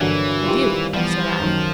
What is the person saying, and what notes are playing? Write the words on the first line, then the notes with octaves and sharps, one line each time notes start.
"I do," said I.
G2 D3 E3 F#3 A#3 D4
D#3 G3 C4 F4
E3 F3 G3 B3
F#2 D#3 F#3